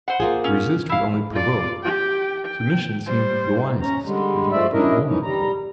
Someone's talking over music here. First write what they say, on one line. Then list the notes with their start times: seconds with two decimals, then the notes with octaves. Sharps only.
To resist would only provoke; submission seemed the wisest, if not the only course.
0.08 C5 F#5
0.20 A#3 F4 G#4
0.44 C#4
0.89 E4 F5
1.32 F4 D5
1.84 G4 G5
2.45 G5
3.05 G3 C5
3.81 C#4 A#5
4.04 D3 G3 G#3
4.52 F3 G#3 A3 D5 E5
4.73 F#2 C#4 D4 E4 A#4 D#5
5.06 E3 C#4 D#4
5.23 G3 A#5